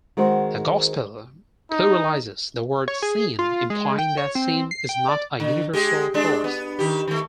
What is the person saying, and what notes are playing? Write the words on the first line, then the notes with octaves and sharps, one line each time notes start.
The gospel pluralizes the word "sin" implying that sin is not a universal force.
D#3 G#3 C4 F#4 C5
D#4
C#5
G#4
F4
G#3
G5
C#5
C4
C7
G5
D5
D3
G#3 G4
G#3 D4
B3
D#3 G4
D#3 A3